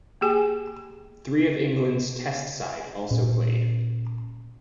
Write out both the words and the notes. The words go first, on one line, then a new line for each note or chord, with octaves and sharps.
Three of England's Test side also played.
A#3 G4 G#4 G5 G#5
A#2 C#4